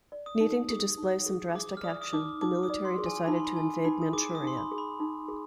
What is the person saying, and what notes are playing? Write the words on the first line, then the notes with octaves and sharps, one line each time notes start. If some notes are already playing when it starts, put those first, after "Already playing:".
Needing to display some drastic action, the military decided to invade Manchuria.
D5
D#6
D#4
G#4 D#6
D#4
G#4
G#4 D6
F6
D5 D#6
D#6
D#4 D6
D#4 D6
D#6
D5
C6
G#4
G#5
D#4 B5
C6
B5
D#4 G#5
D#4 B5
D#6
G#4 D6
D#6
D#4
C6
B5
G#4
B5
D#4
G#4